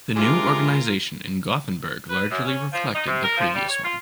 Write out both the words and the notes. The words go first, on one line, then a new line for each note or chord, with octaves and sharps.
The new organization in Gothenburg largely reflected the previous one.
C3 G#3 D4 F4 A#4 D6
B4
F#2
C#4
F3
D#4
C3
A#4
F3
G3
C#5
F4